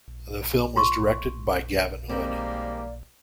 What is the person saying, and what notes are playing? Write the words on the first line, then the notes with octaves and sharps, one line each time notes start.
The film was directed by Gavin Hood.
F4 C6 C#6
D#3 G3 G#3 A#3 C4 D5